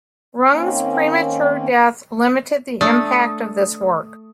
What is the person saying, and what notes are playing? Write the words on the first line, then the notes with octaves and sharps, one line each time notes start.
Runge's premature death limited the impact of this work.
D#3 A#3 C4 C#4
A3 D4 D#6